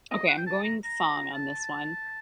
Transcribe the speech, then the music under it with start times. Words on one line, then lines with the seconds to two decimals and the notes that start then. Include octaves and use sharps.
Okay, I'm going song on this one,
0.11 D#5
0.28 F#5
0.38 G5
0.46 A5
0.64 A#5
0.84 A#5
1.34 A5